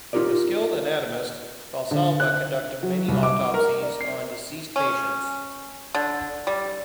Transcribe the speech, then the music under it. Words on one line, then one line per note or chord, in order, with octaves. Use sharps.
A skilled anatomist, Valsalva conducted many autopsies on deceased patients.
D#4 F4 G4 A#4 D5
D3
F#6
F#3
C2
D6
A#4
D5
C7
C#4
D3
G3